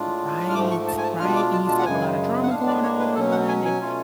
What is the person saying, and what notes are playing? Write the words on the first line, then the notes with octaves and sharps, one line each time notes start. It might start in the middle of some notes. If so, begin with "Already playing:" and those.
Right, right, and you still have a lotta drama going on and,
Already playing: A2 G#3 D4 F4
F6
G#2 F3 A3 D6
C#6
A5
G#5
A5
B2 G#3 D4 F4 F6
D6
A5
A5
F#5
F#2 C#3 G#3 G#5
F#5
A2 G#3 D4 F5
D5
C#5
B4
B2 F#3 C#4 A4
F#5
G#5
G#5
B2 A3 C#4 F4